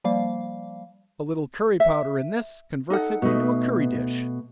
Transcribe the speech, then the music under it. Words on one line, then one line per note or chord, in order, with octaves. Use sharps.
A little curry powder in this, converts it into a curry dish.
F3 G3 A#3 F5
E5
D#4 A4 F#5
B2 A3 D#4 F#4